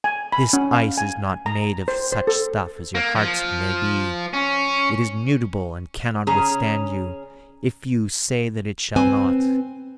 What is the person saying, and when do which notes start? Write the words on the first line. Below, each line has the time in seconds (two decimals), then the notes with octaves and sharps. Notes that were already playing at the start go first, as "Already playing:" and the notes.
This ice is not made of such stuff as your hearts may be; it is mutable and cannot withstand you if you say that it shall not.
0.04 G#5
0.32 B5
0.53 C#4
0.73 F5
0.98 G#5
1.46 A#5
1.88 C5
2.12 C5
2.27 A4
2.95 A#3
3.16 F3
4.33 C#4
6.27 C#3 C#4 G#4 A#5
8.96 C4 B4 C5 G#5